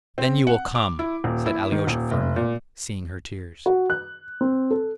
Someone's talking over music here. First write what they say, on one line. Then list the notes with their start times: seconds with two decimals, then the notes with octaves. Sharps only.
"Then you will come," said Alyosha firmly, seeing her tears.
0.18 C4
0.47 F#5
0.75 D6
0.99 E4
1.24 D#1
1.46 E4
1.72 D#3
1.87 D#1
2.11 F1
2.36 A#2
3.66 F#4
3.90 F#6
4.41 C4
4.71 A4